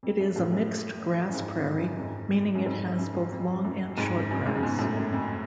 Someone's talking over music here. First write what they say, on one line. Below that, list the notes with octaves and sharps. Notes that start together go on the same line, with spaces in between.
It is a mixed grass prairie, meaning it has both long and short grass.
F2
F#2
F#2 A2
F#2
F#2
F2 G#2
F2
F2
F#2
F#2
F2 G#2
F#2
F2 G#2
F#2
F2
F#2
F2 G#2
F#2
F#2
F2 G#2
C#3
G#2 B2
F#2 A2
F#2
F2